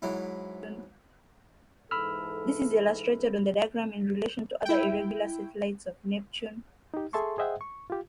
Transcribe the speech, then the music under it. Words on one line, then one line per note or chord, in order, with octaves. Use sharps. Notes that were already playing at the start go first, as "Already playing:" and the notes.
This is illustrated on the diagram in relation to other irregular satellites of Neptune.
G#2 F#3 E4
G#2 E3 A4 B5 E6 F6
E4 G5
D#4 G4
G#4 A4 E5 A5 C6 C#6
G#4 C5 D#5 E5 F#5 G5
C#6
F4 G4